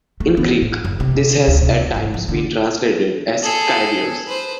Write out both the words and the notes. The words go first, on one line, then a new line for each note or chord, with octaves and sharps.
In Greek, this has at times been translated as "Kyrios".
A3
B3
A2
F#1
C3
D2
C3
F1
G#2
F3
D3
G#4 A4
B4 C5